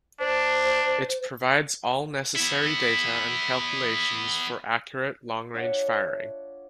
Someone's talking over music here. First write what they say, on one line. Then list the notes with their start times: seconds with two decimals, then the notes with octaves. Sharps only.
It provides all necessary data and calculations for accurate long range firing.
0.20 D4 C5
2.36 B3 E4
5.54 D4 F4 C#5 D5 E5 F#5